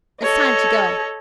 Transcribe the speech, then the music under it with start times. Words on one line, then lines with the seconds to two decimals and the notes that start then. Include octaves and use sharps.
It's time to go.
0.20 A4 C#5 D#5